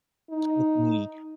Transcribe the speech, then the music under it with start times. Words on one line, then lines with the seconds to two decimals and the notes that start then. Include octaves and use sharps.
took me
0.30 D#4